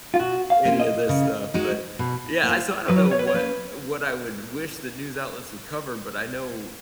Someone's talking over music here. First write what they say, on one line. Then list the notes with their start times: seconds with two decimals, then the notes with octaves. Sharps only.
any of this stuff, but yeah, I so I don't know what what I would wish that news outlets would cover, but I know
0.14 F4
0.19 B2 F#4
0.50 F5
0.65 A#3 C#4 F4
0.80 D#5
1.09 C#3
1.54 G#3 D#4 F#4
1.99 B2
2.43 A#3
2.49 F4
2.88 F#3 B4
2.96 C#5
3.04 B4
3.11 C#5
3.19 B4
3.27 C#5
3.34 A#3 C#4 B4